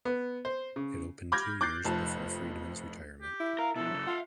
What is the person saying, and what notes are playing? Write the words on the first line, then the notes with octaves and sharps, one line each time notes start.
It opened two years before Friedman's retirement.
B3
C5
C#3
B5 D6 F6 G6 G#6 A#6
D6 F#6 G6 A6 C7
F1 F2 A5
G4
E4
A#4 F5
B2 F3 E4 A4
F#2 C#3
F4 F5 F#5